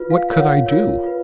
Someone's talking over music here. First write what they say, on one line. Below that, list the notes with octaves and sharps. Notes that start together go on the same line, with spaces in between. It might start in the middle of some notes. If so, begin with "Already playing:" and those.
What could I do?
Already playing: F4 B4
F5
F4 A#4 C#5 F5
F#5
F5
F4 A#4 C#5
F4 B4